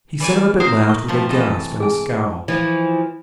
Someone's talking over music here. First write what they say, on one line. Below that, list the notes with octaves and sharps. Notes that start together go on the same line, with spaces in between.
He sat up at last with a gasp and a scowl.
E3 D5 G#5
A#4 C5 F5 D#6
C#6
C3 F3 A3
E3 A4 D#5
G#4 G#5
E3 F3